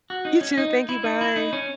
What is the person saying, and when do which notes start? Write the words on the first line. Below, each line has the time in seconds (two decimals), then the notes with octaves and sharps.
You, too. Thank you. Bye.
0.10 F#4
0.25 D#4
0.41 C#4
0.58 D#4
0.89 E4
1.04 D#4
1.21 E4
1.36 D#4
1.53 C#4